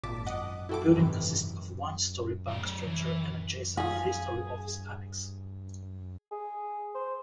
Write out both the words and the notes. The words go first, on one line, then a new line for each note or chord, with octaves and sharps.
The building consists of a one-story bank structure and adjacent three-story office annex.
G#1 A#2 A5 D6 B6
D#5 F#5 D6 D#6
E4 F#4 A4 G5 D6
G#2 C3 D#3 E3
F#3 D5
E3
F4 F#4 G#4 F5
G#4
C5